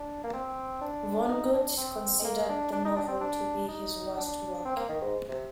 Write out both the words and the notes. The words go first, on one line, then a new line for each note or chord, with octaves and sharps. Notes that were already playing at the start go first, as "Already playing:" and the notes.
Vonnegut considered the novel to be his worst work.
Already playing: D4
A#3
C4
D4
D#4
D4
C4
G#3
A#3
D4
D4
D#4
D4
C4
D4
D#4
D4
C4
A#3
D#3
G#2
C3